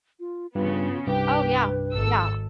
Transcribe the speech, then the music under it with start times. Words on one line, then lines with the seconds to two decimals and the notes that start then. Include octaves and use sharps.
Oh yeah, yeah.
0.20 F4
0.55 G2 C#3 B3 F4
1.07 C2 G2 G4 B4
1.94 G#1 A4 E6